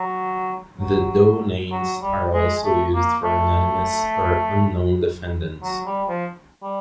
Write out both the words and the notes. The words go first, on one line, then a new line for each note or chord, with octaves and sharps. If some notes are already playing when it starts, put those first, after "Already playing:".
The Doe names are also used for anonymous or unknown defendants.
Already playing: F#3
F#3
F#3
G3
G#3
A3
A#3
A3
F#3
G3
F3
G3